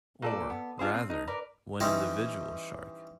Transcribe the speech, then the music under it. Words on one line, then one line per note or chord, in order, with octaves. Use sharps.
Or, rather, one individual shark.
A#2 A4 D5
B3
D4 F4 G#4 C5
C4
D#4
A#4 B4 D5
E3 G3 C4 C#4 D#4